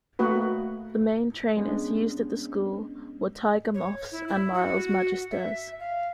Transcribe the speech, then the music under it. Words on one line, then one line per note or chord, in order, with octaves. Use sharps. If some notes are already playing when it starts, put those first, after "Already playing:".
The main trainers used at the school were Tiger Moths and Miles Magisters.
A3 A#3 F#4 B4
G#3 B3 C#4 D4
C#5
E4
E4
F#4
E5
F5